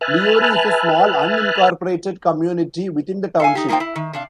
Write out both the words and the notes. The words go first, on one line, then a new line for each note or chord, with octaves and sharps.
Leroy is a small unincorporated community within the township.
B4 E5 G#5 A5 F6 F#6
A4 F5 G#5
D#4 G4
A3 A#3 D#4 F4 C5 G5
E4
D#3
C3 D4 F5